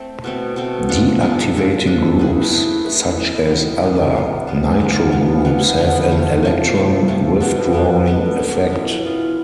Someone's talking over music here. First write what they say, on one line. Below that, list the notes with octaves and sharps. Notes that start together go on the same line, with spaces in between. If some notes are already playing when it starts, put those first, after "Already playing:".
Deactivating groups such as other nitro groups have an electron-withdrawing effect.
Already playing: A3 C4
B2 A3 C4
B2 A3 C4
F3 G#3 D4 A4
F3 G#3 D4 A4
F3 G#3 D4 A4
F3 G#3 D4 A4
A3 E4 G#4 B4
A3 E4 G#4 B4
A3 E4 G#4 B4
A3 E4 G#4 B4
C3 G#3 B3 F4
C3 G#3 B3 F4
C3 G#3 B3 F4
C3 G#3 B3 F4
D3 F3 B3 F4
D3 F3 B3 F4
D3 F3 B3 F4
D3 F3 B3 F4
C3 F3 A3
C3 F3 A3
C3 F3 A3
C3 F3 A3
B2 B3 D4
B2 B3 D4
B2 B3 D4
B2 B3 D4
E3 B3 F4
E3 B3 F4